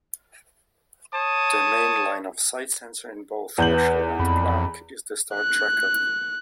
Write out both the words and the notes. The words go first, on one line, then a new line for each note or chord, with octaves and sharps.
The main line-of-sight sensor in both "Herschel" and "Planck" is the star tracker.
C#5 A5 D#6
E2 B4 G6 F#7
F2 B5
F#6